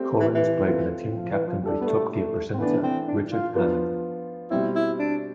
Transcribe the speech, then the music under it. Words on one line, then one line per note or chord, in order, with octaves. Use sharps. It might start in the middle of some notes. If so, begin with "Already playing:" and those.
Collins played in a team captained by "Top Gear" presenter Richard Hammond.
Already playing: A3 C4 G4 C5
E3
E3
A3 C4 F4
F3
E3
F3
G3 D4 A4 D5
B3
A3
A3
C4
E3 A3 B3 D4
C4
D4
F4
F3 B3 D4 F4
B2 G3 C4 E4
E4
D4